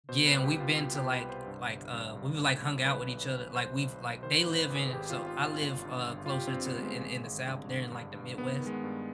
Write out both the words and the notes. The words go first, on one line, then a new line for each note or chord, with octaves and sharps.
Yeah. We've been to, like like, uh we've, like, hung out with each other, like, we've like they live in so I live, uh, closer to in in the South. They're in, like, the Midwest,
B2 C5
B4
C2
G4
C2 F4
B2 G4
G4
B2
B4
C2
C5
G2
G1
G2
G2
G1
G1
B1 B4
B1
B1
B1 C5
B1
B2
D#3 C5
B4
G#1 C5
B4
G#1
G#4
G#1 G4
F4
G#1
F4
G#1
F4
G1
G2
G1
F4
G1 G4
C4
G2
B3
G1
G#3
G#1
G#1
G2
D3
G2
G2
D#3 B3
D#3
G#3
B3
G2